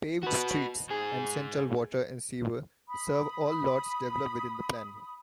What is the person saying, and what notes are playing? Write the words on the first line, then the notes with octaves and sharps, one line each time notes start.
Paved streets and central water and sewer serve all lots developed within the plan.
F#4 B4
G#2 G#4
B5 D#6